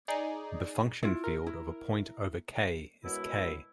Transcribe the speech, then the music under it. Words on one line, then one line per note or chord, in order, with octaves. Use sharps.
The function field of a point over "K" is "K".
D#4 G#4 D5
E4 F4
A#4
E4
F#2 B2 G#3 E4